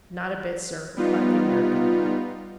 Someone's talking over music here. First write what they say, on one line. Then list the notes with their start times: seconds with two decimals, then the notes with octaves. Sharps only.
"Not a bit, sir," replied the American.
0.96 G3 B3 D#4 F4